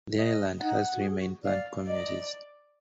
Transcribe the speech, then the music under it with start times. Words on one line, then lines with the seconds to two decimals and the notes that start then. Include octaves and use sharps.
The island has three main plant communities.
0.18 D#5
0.59 D#4 F#5
0.95 F#4
1.02 G#4
1.17 F#4
1.45 D5 F5
1.87 D5 D#5